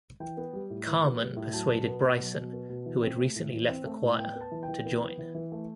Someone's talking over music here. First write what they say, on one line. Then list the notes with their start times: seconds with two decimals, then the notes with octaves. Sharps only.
Carmen persuaded Bryson, who had recently left The Choir, to join.
0.20 E3 G5
0.37 B3
0.53 G3
0.70 A2
0.87 E3
1.03 B3
1.20 G3
1.37 A2
1.53 F#3 A5
1.70 B2
1.86 B3
2.03 B2
2.20 F#3
2.36 B2
2.53 B3
2.69 B2
2.86 E3
3.03 C4
3.19 A3
3.36 A2
3.52 E3
3.69 C4
3.85 A3
4.02 A2
4.19 B3 G5
4.35 B3
4.41 A5
4.52 E3
4.63 G5
4.68 E3
4.85 B3
5.01 B3
5.19 E3
5.35 E3
5.52 A3